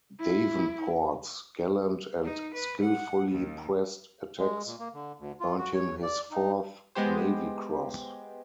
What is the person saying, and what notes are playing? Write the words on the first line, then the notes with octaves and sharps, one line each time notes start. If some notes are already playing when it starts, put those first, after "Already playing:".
Davenport's gallant and skillfully pressed attacks earned him his fourth Navy Cross.
E4
D#4
B4
F#5
D#2
G#3
A#2
A#3
D3
D2
F4
F#4
C#5
D5
D#4
G#3 B3 G4 C5